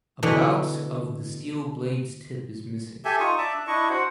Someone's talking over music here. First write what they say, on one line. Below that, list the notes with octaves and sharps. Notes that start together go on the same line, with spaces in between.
About of the steel blade's tip is missing.
B2 D3 E3 D4 F#5 B5
G4 A4 E5 G#5
D#4 F4 C#6 D#6
D5 E5 A5
D4
D4 E4 D#5 C#6
F#4 C5 F#5